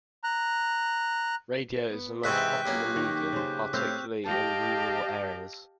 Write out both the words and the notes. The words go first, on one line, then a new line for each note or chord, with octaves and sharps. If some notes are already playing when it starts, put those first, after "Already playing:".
Radio is the most popular medium, particularly in rural areas.
A#5 F#6
B3
G#2 C3 E3 E5 G5 C#6 F#6 B6
B1 A#3 C#4 G4
D#3
C#3 C5
A2 C4 F5 F#6 G6
G4 D#5 F5 G5 A5